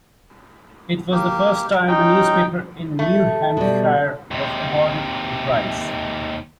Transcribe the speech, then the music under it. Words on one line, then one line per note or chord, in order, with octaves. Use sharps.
It was the first time a newspaper in New Hampshire was awarded the prize.
A#3 G4
C#4 D#4 G5
A3
B2 G3
D#2 C3